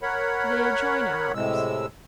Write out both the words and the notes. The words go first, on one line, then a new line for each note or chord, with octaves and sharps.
They adjoin ours.
A#4 C#5 F#5 B5
A2 C3 G#3 E6